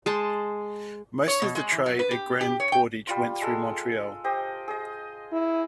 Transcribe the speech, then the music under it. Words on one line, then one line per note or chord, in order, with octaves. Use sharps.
Most of the trade at Grand Portage went through Montreal.
G#3 C5 A5
C#5
B2
G#3
E3
F#3
B4
G4
G4
C#5
G5
G3 F4 C6
G#3 A4
G4 C5 D#5
G#4 D#5
E4